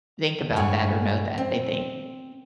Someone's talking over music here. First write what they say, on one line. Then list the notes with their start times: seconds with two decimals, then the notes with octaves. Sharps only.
think about that or know that. They think,
0.56 G2 G#3 C#5 F#5 G#5
1.38 C4